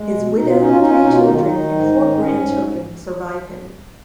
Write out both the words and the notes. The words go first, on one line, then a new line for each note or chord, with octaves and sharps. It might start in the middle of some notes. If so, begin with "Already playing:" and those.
His widow, three children, and four grandchildren survive him.
Already playing: G#3
B2
B2 D#4
F4
C#4 D#4
F4
C#4 D#4
F4
B2 D#4
F4
D#3 D#4
F4
D#3 D#4
G#2
D#3
G#2 C#4
G#2